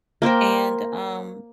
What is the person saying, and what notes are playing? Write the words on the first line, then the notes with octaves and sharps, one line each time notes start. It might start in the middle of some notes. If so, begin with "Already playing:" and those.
and, um
A#3 A#4 C5 G5